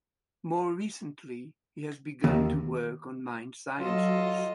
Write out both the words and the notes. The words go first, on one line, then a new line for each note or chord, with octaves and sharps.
More recently, he has begun to work on mind sciences.
D#2
F#3 F4 A4 D#5